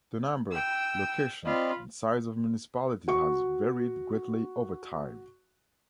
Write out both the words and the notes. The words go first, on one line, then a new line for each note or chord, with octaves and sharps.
The number, location, and size of municipalities has varied greatly over time.
G5 E6
C4 F4 D5 D#5 B5
F#4 C#6